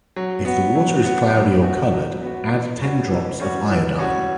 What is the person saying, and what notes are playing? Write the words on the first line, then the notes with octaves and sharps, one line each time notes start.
If the water is cloudy or colored, add ten drops of iodine.
F#3
B3 F#4
F#3
B3 F#4
F#3
B3 F#4
F#3
B3 F#4
E3
G3 C#4 F#4
E3
G3 C#4 F#4
E3
G3 C#4 F#4